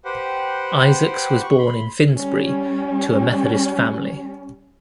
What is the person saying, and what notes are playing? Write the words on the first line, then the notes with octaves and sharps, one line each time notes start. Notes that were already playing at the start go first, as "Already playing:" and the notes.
Isaacs was born in Finsbury to a Methodist family.
G4 B4 C5 F#5 G5
C#6
B5 C6
G3 C#4